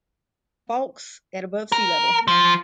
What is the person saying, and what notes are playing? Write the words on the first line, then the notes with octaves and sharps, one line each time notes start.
Fowlkes at above sea level.
A#4
F3